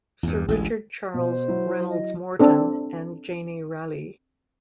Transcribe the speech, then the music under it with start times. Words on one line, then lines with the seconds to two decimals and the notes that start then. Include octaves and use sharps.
Sir Richard Charles Reynolds-Moreton and Janie Ralli.
0.23 E2 G2
0.48 A1 D2 B2 G#3
1.14 B2 C5
1.48 F#3 E4
1.90 D#5
2.39 C4 D4 A4